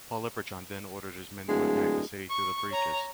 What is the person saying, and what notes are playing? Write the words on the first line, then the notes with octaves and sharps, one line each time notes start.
Polyperchon then ordered his men to attack the city through the breaches.
D1 G#3
C#6
C#5 A#5